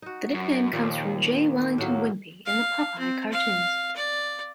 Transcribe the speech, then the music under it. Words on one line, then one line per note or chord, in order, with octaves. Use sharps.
The nickname comes from J. Wellington Wimpy in the Popeye cartoons.
D#4 F#4
F#2
D#2 A#2 F3
A2 F#3 A#3
F5
C4
F5
D5